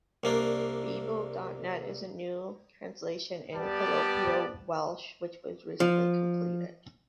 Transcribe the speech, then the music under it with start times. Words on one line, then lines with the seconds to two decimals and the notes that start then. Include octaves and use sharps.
Beibl dot net is a new translation in colloquial Welsh which was recently completed.
0.24 C2 A#3 D4
3.55 G3 B3 G4 D5 A5
5.80 F3